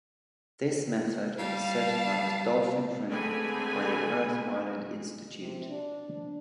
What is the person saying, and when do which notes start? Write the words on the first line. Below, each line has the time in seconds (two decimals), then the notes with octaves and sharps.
This method is certified as "dolphin friendly" by the Earth Island Institute.
1.38 G3 F5 A5
3.08 D3 G#3 A3 C4 B4 G#5
5.41 C3
5.69 D4